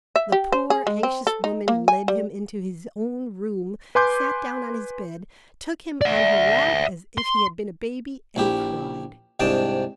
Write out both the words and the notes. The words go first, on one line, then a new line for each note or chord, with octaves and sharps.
The poor, anxious woman led him into his own room, sat down on his bed, took him on her lap as if he had been a baby, and cried.
E5
G4
C5
G#4
G#3
C4
A4
D#4
A#3
G#5
G3
B4 G#5 C6 D6 G6
D5 E5
C6
A#1 E4 G4
C2 G#2 C3 D4 G5 A5